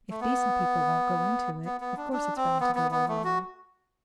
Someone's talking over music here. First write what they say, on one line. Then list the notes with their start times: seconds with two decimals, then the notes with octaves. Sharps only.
If decent people won't go into it, of course it's bound to go all wrong.
0.10 A3
0.21 B3
1.65 B3
1.81 B3
1.97 D4
2.13 D4
2.37 C4
2.60 B3
2.75 B3
2.91 B3
3.08 A3
3.24 F#4